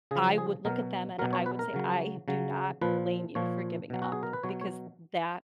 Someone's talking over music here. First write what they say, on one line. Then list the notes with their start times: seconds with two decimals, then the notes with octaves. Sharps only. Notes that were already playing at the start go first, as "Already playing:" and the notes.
I would look at them and I would say, "I do not blame you for giving up, because that
0.11 C#3 G#4
0.15 F3
0.38 G#4
0.65 B2 F#3 A#4
1.19 F#3 A#4
1.22 B2
1.33 C#5
1.46 B4
1.59 A#4
1.73 C#3 F#3
2.28 C#3 F#3
2.81 A#2 F3 B4
3.35 A#2 F3 C#5
3.90 B2 F#3
4.02 F#4
4.12 G#4
4.23 A#4
4.33 B4
4.43 B2 F#3 C#5
4.61 C#5